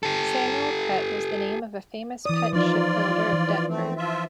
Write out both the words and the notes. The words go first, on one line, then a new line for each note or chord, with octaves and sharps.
Samuel Pett was the name of a famous Pett shipbuilder of Deptford.
G4 A4
E3 D5 D#6
F3 D#4 F4 D5
E3
A3 C4
F3 F4 E5